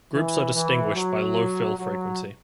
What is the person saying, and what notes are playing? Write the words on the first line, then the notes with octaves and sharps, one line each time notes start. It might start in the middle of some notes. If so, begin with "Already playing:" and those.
Groups are distinguished by low fill frequency.
E3
E3
F#3
F#3